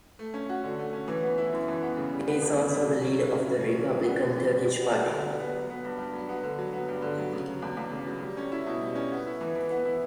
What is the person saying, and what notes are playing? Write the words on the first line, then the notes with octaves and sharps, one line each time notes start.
He is also the leader of the Republican Turkish Party.
A3
C#4
F#4
D3
A3
C#4
E3
B3
E4
F#2
E3
B3
C#3
G3
B3
E2
C#3
G3
F#3
C#4
E4
C#3
F#3
C#4
E3
G3
B3
F#2
E3
G3
G3
B3
F#4
D3
G3
B3
F#3
B3
G2
G2
F#3
B3
D3
F#3
B3
G2
D3
F#3
C#3
F#3
E2
E2
C#3
F#3
G3
C#4
E4
B2
G3
C#4
B3
E4
E3
E3
B3
E4